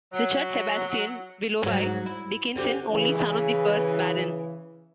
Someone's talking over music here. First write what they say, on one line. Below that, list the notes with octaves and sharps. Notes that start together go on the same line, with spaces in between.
Richard Sebastian Willoughby Dickinson, only son of the first Baron.
F#3
G#2 F#3
E4
D3 C4 G4
C#3 E3